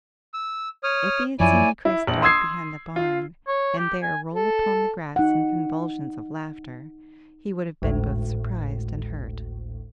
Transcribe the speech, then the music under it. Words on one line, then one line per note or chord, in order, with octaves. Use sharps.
If he had seen Chris dart behind the barn, and there roll upon the grass in convulsions of laughter, he would have been both surprised and hurt.
E6
C#5 D#6 F6
F#2 F3 E4 C#5 D5 G#5
E4
A#1 F#7
C6 D#6 E6 G#6 C7
F4
C#5
G4
G#5
A4
D#4 F#5
G#1 D2 A2